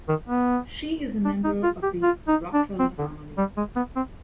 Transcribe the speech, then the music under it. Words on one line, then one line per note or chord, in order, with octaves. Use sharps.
She is a member of the Rockefeller family.
D#3
B3
D4
D#4
F4
G4
F4
D#4
D4
C4
D3
G3
G#3
B3
C4